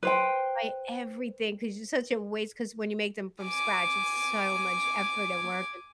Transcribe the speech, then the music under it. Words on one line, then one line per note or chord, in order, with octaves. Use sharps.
like, everything, 'cause it's such a waste, 'cause when you make them from scratch, it's so much effort, and work, and
B4 C5 G5
G#5 D6